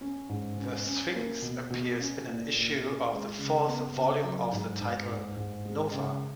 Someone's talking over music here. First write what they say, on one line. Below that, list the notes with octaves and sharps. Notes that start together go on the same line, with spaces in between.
The Sphinx appears in an issue of the fourth volume of the title "Nova".
C#4
G#2
C#4
C#4
A#3
B2
B2
C#4
A#2
A#2
C#4
G#3
C#3
B3
C#3
F#3
G#2
G#2
G#2
G#2
G#3
C#3